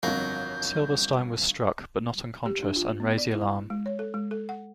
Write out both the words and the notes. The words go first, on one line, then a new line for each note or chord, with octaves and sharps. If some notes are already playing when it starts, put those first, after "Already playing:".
Sylberstein was struck but not unconscious, and raised the alarm.
G1 F2 F#3 A#4 F5 G6
G4
D4
F4
B3
D5
E4
G#3
C#5
A4
G#3
A4
F#5